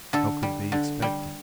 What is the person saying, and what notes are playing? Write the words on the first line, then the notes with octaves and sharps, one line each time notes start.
How could they expect it?
D3 A4
G3
D3
G3